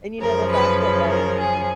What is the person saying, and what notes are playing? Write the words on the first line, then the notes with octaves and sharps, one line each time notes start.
And you know the fact that, like,
F#2 C#3 F3 A#4
B4
B4
A#4
G#4